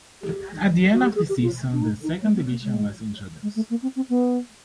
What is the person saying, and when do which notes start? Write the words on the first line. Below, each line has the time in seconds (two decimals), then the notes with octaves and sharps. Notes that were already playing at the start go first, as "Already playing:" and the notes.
At the end of the season the second division was introduced.
0.22 G4
0.93 F#4
1.03 G4
1.15 G#4
1.29 G4
1.42 F4
1.72 D4
1.82 D#4
2.03 D#4
2.22 A#3
2.35 B3
2.50 A#3
2.62 G#3
3.42 G#3
3.55 A3
3.70 A#3
3.82 C4
3.96 C4
4.09 B3